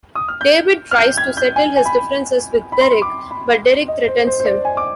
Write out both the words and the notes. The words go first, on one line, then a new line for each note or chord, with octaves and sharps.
David tries to settle his differences with Derek, but Derek threatens him.
D#6
F6
G6
F6
G6
G#6
G6
G#5
G#5
B5
B5
C6
B5
D6
B5
D#5
C5
C5
C5
D5
G#5
D6